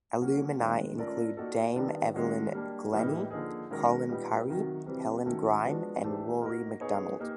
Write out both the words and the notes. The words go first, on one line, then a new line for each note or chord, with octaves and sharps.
Alumni include Dame Evelyn Glennie, Colin Currie, Helen Grime and Rory Macdonald.
F#3 A#3 C#4 F#4
D#3 G#3 C4
A3 C#4 F4 A#4 D5
A#3 D#4 F#4 A4 D5
D#3 G3 B3 D4
D#3 G#3 C#4 F#4
G3 A#3 D4
A2 E3 G3 A#3 D#4
D3 F3 A#3 D#4 G#4
D#3 G#3 C#4 F#4 A#4
A#2 G3 B3 D#4
C3 D#3 F#3
C3 E3 G3 C4
D#3 F#3 A3 C#4
F3 G#3 B3 D4 F#4
E3 A3 D4 G4 C5
A#3 D#4 F#4 A#4
B3 D#4 G#4 C#5
A#3 D#4 G4